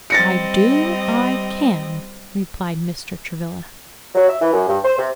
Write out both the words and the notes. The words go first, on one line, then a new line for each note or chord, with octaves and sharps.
"I do; I can," replied Mr. Travilla.
G3 C4 D#5 A6 A#6 C#7
F#3
E5
E3
F#2
G2
C5
C3